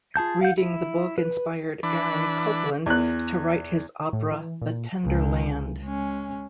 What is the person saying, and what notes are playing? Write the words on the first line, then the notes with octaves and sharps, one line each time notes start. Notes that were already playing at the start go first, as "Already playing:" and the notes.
Reading the book inspired Aaron Copland to write his opera, "The Tender Land".
F4 G#4 A5 G6
F5 F#5 G6
E4
B4
E3 D4 B5
E2 F#6
A2
E3
A#2
C#2
G#3 C#4